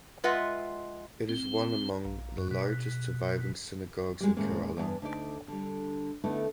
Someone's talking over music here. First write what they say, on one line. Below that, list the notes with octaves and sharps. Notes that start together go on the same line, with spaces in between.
It is one among the largest surviving synagogues in Kerala.
G#3 F4 B4 D#5 E5 F#5
C4
A#1
F#2
B2
G3 G#3
D#2 A2 G#3 A#3 C#4
E2 G2 F#4 D5
D2 D#4 D5
D3 G3
D3 A3 B3 D#4 E4